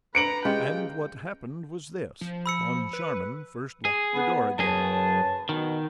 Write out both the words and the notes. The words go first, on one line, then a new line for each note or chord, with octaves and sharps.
And what happened was this: Moncharmin first locked the door again.
B4 A#5 C#7 D7 F#7
G#3 C#4 F4 G4 G5
F3
B5 E6 C#7
B4
G#4
B3
F#2 G#4 B4 C#5 A5
B2 D#3